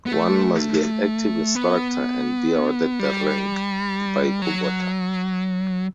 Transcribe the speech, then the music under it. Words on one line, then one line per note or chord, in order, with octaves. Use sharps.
One must be an active instructor and be awarded the rank by Kubota.
B3
A3
B3
G3
F#3